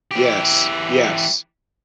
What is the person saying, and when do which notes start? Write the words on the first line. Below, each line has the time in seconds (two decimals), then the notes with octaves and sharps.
Yes, yes,
0.11 E3 G4